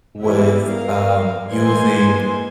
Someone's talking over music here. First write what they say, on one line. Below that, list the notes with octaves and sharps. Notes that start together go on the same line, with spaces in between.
was, um, using
E3 G3 B3 E4 G#4
A#4 F5
E3 G#3 A#3 C5 G#5 C6